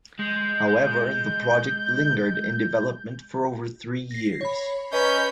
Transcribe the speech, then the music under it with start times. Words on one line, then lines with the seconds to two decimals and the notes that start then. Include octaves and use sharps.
However, the project lingered in development for over three years.
0.19 G#3 G6
4.11 A#6 C7
4.41 C#5 B5
4.93 C#4 B4 D#5 A#5 B5 G6